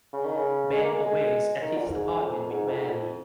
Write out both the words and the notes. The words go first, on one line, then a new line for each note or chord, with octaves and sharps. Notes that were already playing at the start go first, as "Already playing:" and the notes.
Ben awakes at his apartment with Mary.
C#3
D#3
C#3
G#3
A#3
G#3
G#3
D#3
A#2
F2
G#2
F2
G#2
F2
G#2
F2